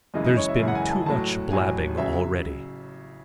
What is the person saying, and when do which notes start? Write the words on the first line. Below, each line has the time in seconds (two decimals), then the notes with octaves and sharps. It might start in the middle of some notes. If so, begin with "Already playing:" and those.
"There's been too much blabbing already."
0.14 F#2 C#3 E3 G#3 D#5
0.25 D#5
0.37 C#5
0.49 E5
0.60 F#2 C#3 E3 G#3
0.68 F#5
0.75 G#5
0.91 A5
1.06 A1 A2 F#3 A5
1.51 A1 A2 F#3 G#5
1.97 C#3 F#3 E5